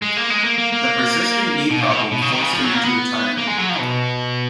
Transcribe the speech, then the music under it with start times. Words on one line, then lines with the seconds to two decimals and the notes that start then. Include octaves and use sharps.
The persistent knee problem forced him into retirement.
0.02 G#3
0.17 A#3
0.30 G#3
0.45 A#3
0.58 A#3
0.72 A#3
1.70 B2
1.80 A#2
1.91 B2
2.11 B2
2.22 C#3
2.32 D#3
2.42 C#3
2.53 F3
2.63 F#3
2.74 A#3
2.84 B3
3.37 A#3
3.47 G#3
3.57 F#3
3.69 F3
3.79 B2